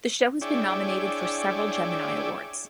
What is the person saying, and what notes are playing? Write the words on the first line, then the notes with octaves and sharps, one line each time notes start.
The show has been nominated for several Gemini Awards.
D4 E4 G#4 C#5 D5 G5